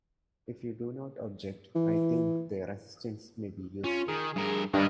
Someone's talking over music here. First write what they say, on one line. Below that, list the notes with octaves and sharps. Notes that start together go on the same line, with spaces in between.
If you do not object I think their assistance may be useful.
E3
C#4 F4
D#3 G#4
G2 A#4
G2 D4 D#4 A#4